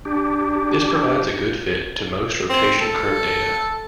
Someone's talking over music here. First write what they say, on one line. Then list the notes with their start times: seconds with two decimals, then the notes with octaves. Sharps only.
This provides a good fit to most rotation curve data.
0.05 D4 G4
2.50 C4
2.81 A4